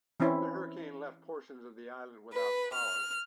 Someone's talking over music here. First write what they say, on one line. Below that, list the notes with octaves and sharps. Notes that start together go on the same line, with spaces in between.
The hurricane left portions of the island without power.
E3 C4 C#4 E4
B4
F6